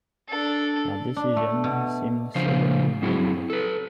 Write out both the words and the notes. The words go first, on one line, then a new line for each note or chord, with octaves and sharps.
Her decision seemed suddenly made.
D4 A4
D4
A3
B2
C#3 F3 D4 C5 F5
F#3 C4 E4 F#4 G#4
A4 B4